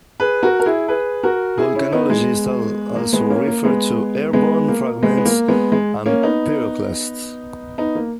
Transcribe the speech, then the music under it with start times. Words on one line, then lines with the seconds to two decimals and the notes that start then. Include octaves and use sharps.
Volcanologists also refer to airborne fragments as pyroclasts.
0.20 G#4 B4
0.43 F#4 A#4
0.60 A#4
0.66 E4 G#4
0.88 G#4 B4
1.23 F#4 A#4
1.58 E4 G#4
1.75 C#4 E4
1.92 B3 D#4
2.09 G#3 B3
2.96 A#3
3.13 G#3 B3
3.30 A#3 C#4
3.47 A#3
3.64 G#3 B3
4.33 G#3 B3
4.68 A#3
5.02 G#3 B3
5.18 B3
5.25 A#3
5.48 G#3 B3
5.72 G#3
6.06 A#3 C#4
6.23 B3 D#4
7.78 B3 D#4
7.95 A#3